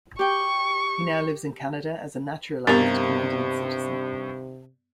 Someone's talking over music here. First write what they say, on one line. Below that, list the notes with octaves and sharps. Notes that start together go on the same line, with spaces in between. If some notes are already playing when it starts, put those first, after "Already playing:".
He now lives in Canada as a naturalized Canadian citizen.
G4 G5 C#6
G2 C3 D#3 A#3 B3 G4